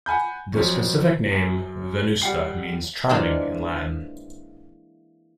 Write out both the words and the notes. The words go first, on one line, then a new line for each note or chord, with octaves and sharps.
The specific name, "venusta", means "charming" in Latin.
F#5 G#5 B5 G6
F2 F#3 C4 C#4
F#2
G3 F#5 G5 C7
E3 G#3 A#3 D4 F4 C5